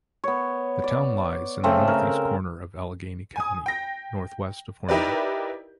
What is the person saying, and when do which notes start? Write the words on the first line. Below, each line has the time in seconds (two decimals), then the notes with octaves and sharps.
The town lies in the northeast corner of Allegany County, northwest of Hornell.
0.24 B3 C#5
0.84 D5
1.64 C#3 A3 C4
1.88 A#4
3.36 G#5 D#6
3.66 G5 A#6
4.89 D#4 E4 G4 A#4 B4 D5